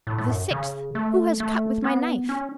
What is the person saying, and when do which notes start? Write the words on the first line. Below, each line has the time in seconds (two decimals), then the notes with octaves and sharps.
The sixth, "Who has cut with my knife?"
0.07 A2
0.18 A2
0.29 F#2
0.51 C#3
0.95 A3
1.40 A3
1.84 B3
2.29 C#4